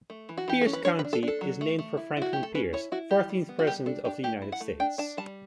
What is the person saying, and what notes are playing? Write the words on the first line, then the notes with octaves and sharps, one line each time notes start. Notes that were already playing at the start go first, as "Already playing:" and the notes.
Pierce County is named for Franklin Pierce, fourteenth President of the United States.
A3
E3
F#4
E3 G4
C#4 A4
B4
D4 C#5
B4
D4
A4
D4
A4
F#3
A3
A3
E4
E4 F#4
A3 G4
A4
C#4 B4
E4 C#5
E4 F#4
G3 G4
G3
B3
F#4
G3 G4
D4 A4
D4 G4
A3 G4
E4
F#5
A3
D4 G5
D4 A5
G3 A5